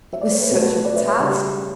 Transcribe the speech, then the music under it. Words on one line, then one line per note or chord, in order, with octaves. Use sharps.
It was such a task!
E5
D5
C#5
B4
B2 F#3 A3 A4
B4
B4
B4 D5
C#5 E5
C#5 E5
C#3 G3